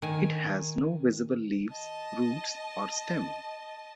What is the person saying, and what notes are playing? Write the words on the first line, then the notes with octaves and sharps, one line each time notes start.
It has no visible leaves, roots, or stem.
D#3 G#5
D#5 A5